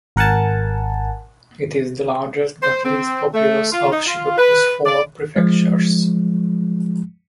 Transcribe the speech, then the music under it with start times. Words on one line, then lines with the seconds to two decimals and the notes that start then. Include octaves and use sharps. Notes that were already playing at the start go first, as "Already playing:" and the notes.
It is the largest but least populous of Shikoku's four prefectures.
0.16 G#1 A#4 F#5 G#5 A5
2.62 C5
2.85 C4
3.34 A3
3.72 F4
3.91 D#4
4.07 F4
4.38 B4
4.86 D5
5.36 F3 G#3